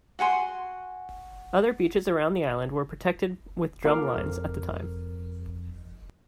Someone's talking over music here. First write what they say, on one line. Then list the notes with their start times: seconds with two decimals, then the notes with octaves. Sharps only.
Other beaches around the island were protected with drum lines at the time.
0.19 F#4 F#5 G#5 C6
3.85 A#3 F4 A#4 F5 D6 F6
4.13 B1 F2